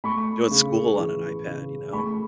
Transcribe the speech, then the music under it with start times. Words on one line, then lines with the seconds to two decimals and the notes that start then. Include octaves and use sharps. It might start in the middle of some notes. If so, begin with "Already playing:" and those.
doing school on an iPad, you know,
0.04 A3 B5 C#6
0.51 C#3
0.99 E3
1.46 C#3
1.93 A3 B5 C#6